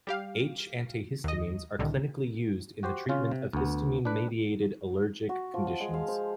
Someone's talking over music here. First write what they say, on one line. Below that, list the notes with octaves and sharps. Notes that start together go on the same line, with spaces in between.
H-antihistamines are clinically used in the treatment of histamine-mediated allergic conditions.
G3 G4 F5
D#2 D#5
C2 A2 D3 D#3
F#4 G4 C5
C#3 C#4 F4
C3
D2 B3
D4 B4
F#4
F3
A5
G#3
F5
C5